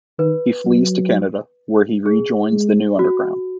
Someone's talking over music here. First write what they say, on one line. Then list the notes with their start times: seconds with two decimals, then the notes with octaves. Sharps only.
He flees to Canada, where he rejoins the New Underground.
0.19 D#3 B4
0.65 F#3
2.06 G#4
2.53 G#3
2.99 F#4